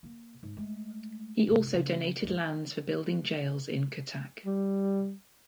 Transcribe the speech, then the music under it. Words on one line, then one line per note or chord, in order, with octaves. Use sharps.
He also donated lands for building jails in Cuttack.
A#3
G#2
G#3 A3
C2 G#2
C#3
D#2 G#2
G3